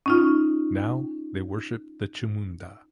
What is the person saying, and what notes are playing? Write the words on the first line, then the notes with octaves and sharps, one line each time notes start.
Now they worshipped the Chamunda.
C#4 D#4 F4